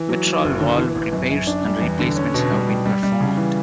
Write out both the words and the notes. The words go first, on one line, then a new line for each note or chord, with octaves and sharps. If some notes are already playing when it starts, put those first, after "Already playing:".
Mitral valve repairs and replacements have been performed.
Already playing: E3
F#3
F#3
F#1
D3
E3
A1
F#2
F#2
D4
G3
E2
D3
C#4
B2
G3
G3
G3
G3
C#3
E3